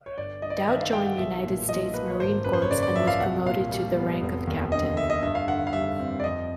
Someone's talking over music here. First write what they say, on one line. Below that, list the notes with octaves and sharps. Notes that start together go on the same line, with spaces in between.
Dowd joined United States Marine Corps and was promoted to the rank of captain.
C#5
G1 D5
G2 D#5
D5
D#5
D#3 E5
F5
G3 G5
F#5
B1 E5
A#2
F3 D#5
A#3 B4
C#5
G#1 C5
F#2 B4
C5
C#5
C#3 D5
D5
F3 E5
F5
C2 F#5
A#2 F5
G3
B3
F1
D#2
D3 D#5
F1 E5
D#5
G2 E5
F5
D3 F#5
F5
G3 E5
C4
D5
F2 D#5